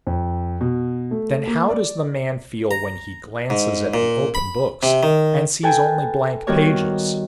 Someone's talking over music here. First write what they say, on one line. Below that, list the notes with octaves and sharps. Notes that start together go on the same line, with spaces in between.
Then how does the man feel when he glances at the open books and sees only blank pages?
F2
B2
A3
A#3
D5
A#5
G#2
A#2
B5
C3
D#3
A4 B4 G5 G#5
D#3 G3 B3 F#4 A#4 C#5